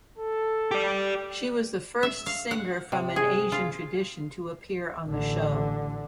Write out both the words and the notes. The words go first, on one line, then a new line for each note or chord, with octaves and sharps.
She was the first singer from an Asian tradition to appear on the show.
A4
G4 D5
E5
F5
F#5
C3
G#4
F4
A1 D3